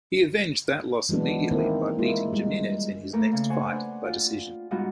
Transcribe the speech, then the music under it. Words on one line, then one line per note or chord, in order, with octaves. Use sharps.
He avenged that loss immediately by beating Jimenez in his next fight, by decision.
E3 F#3 G#3 B3 D4
D#3 A#3 C4 E4
G#3 A#3 E4 F4
G3 G#3
A3 A#3 A#4 B4
C#3
C5 F#5 G#5 C#6
D4 B4 G#5
F4
G#2 G3 B3 D#4 F4 F#4